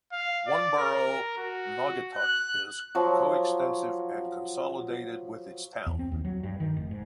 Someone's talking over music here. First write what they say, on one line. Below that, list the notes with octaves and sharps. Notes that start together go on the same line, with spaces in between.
One borough, Naugatuck, is coextensive and consolidated with its town.
F5
D5
A#4
F#4
F#6
F3 F#3
E2
C4
D#2
F#3
G2
D#3
F1
G#2